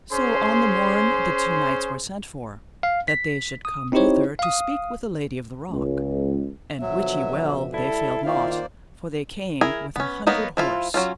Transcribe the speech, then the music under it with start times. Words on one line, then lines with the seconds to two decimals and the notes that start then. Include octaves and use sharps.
So on the morn the two knights were sent for, that they should come thither to speak with the Lady of the Rock, and wit ye well they failed not, for they came with an hundred horse.
0.11 C#4 G#4 C5 C6
2.83 F5
3.08 B6
3.65 D#6
3.92 C4 D#4 E4 G4 C5 C#5
4.39 F5 D#6
5.70 C#2
6.81 B2 D3 F3 F#3 E5
7.74 G3 E4 A4
8.26 D#3 A#3 F4 C5 D5 F5
9.61 E4 G#4 A#4
9.96 B3 C#4
10.27 F#3 A#3 B3 D#4
10.57 F3 E4 F4
10.94 F#3 C#4 F4